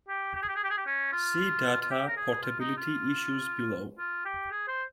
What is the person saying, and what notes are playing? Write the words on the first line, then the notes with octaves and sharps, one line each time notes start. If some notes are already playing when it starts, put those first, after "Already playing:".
See Data portability issues below.
G4
G4
G#4
G4
G#4
G4
G#4
G4
C#4
F4
F4
G4
A#4
G#4
F4
D#4
F4
F4
G4
G#4
C5